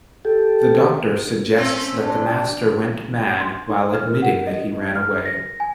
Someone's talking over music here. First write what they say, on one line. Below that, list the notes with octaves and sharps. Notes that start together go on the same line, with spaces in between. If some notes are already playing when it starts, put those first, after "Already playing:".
The Doctor suggests that the Master went mad, while admitting that he ran away.
G4 A4
A3 C4 C#4
D4
C6
D#4
F6
A#4
F#5
D#5
F6
A#6
G#5